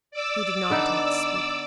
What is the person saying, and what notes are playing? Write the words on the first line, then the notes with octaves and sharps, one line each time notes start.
He did not attempt to speak.
D5 D6 E6
D3 B3 D#4